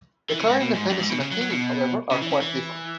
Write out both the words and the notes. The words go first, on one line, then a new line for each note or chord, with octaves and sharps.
Declaring independence and attaining it however, are quite different.
E3
C#3
G#2
B2
G#2
F#2
G#2
B2
C#3
F#3
F#3
B2
C#3
E3
C#3
E3